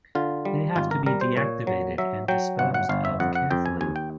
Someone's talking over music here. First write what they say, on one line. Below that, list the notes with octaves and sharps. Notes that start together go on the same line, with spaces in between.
They have to be deactivated and disposed of carefully.
D3 F4
G3
G#1 F4
A#4
G3 A#4
C5
A#2 C#5
F#3
F#3 E5
F#3 G5
G1 F#5
F#5
G1 F5
E5
F2 F#5
F#5
F2 G5
G#5
D#2 G#5
G5